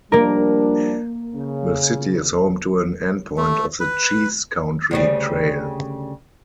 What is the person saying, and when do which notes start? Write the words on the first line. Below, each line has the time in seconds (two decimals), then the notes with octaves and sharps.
The city is home to an endpoint of the Cheese Country Trail.
0.12 F3 G3 A#3 D4 A#4
1.35 C#3
3.38 A3
3.80 B4
4.91 D2 C#3 G3